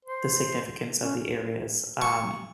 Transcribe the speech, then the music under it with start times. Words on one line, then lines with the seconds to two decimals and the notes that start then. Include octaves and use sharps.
the significance of the areas. Um,
0.05 C5
1.02 C#4
2.02 C#6